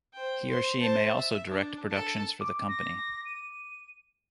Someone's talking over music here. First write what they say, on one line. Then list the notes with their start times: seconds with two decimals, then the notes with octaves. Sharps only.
He or she may also direct productions for the company.
0.13 C5 G5
0.49 C5 C6
0.80 C5 A5
1.18 E5
1.49 D4
1.90 A4 A5
2.41 D6
2.69 A#6
3.26 D#7